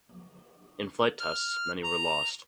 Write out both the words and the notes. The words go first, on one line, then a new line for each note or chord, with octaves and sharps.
In flight tests many were lost.
F6
A#5